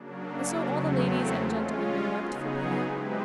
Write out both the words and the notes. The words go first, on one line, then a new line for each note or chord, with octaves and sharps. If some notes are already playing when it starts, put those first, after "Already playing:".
And so all the ladies and gentlewomen wept for pity.
Already playing: C#3 F#3 A#3 D4
E2 C#3 F#3 A3 C4
G#3 C#4 F4
C#3 F#3 B3 D#4 G#4
G#3 C4 E4 G4 B4